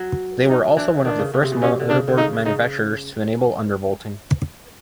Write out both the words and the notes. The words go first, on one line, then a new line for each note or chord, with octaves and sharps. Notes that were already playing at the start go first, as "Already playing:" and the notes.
They were also one of the first motherboard manufacturers to enable undervolting.
Already playing: F#3
D#4
E3 D4
D#3 D4
C#3
C#3
C3
B2
C3 C#4
D3
C#3 D4
D3
C#3 D#4
C#3 D#4